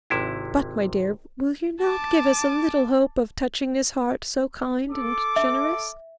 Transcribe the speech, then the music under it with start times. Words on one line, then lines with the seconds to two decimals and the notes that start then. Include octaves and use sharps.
But, my dear, will you not give us a little hope of touching this heart, so kind and generous?
0.10 G#1 C3 E4
1.82 A5 D6
4.91 A4 D6
5.36 E5